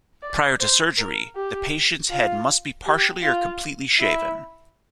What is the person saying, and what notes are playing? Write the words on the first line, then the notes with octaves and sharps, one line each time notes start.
Prior to surgery, the patient's head must be partially or completely shaven.
D5
C5
A#4
G4
F4
G4
F4
E4